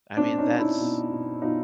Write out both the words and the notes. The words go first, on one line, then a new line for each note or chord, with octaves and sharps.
I mean, that's,
B2 C4 D4
C#4 D#4
B2
D4 E4
B2
B2
B2 D#4 F4